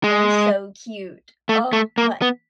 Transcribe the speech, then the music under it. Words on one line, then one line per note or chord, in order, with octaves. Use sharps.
They're so cute. Oh, but
G#3
A3
A3
A#3
B3